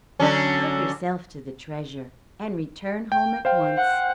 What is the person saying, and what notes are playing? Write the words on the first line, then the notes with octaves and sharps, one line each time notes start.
Help yourself to the treasure, and return home at once.
D3 F#3 C#4
G5
C5 F5 G5
F#5